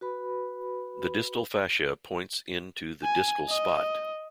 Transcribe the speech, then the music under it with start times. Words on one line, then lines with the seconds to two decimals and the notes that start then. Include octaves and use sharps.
The distal fascia points in to the discal spot.
0.01 F#4 B4 B5
3.03 G#5
3.49 D#5